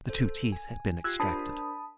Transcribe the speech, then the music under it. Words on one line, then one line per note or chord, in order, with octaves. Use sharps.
The two teeth had been extracted.
A4 C5
G#5
F4 G4 E6 F#6 G#6 C7
D4 A#4 C5 A5 B5 D#6